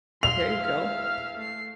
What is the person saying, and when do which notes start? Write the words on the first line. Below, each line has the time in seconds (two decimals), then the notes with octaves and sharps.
There you go.
0.23 E2 E5 F5 C6 F7
0.63 F6
1.01 F6
1.38 A3 C7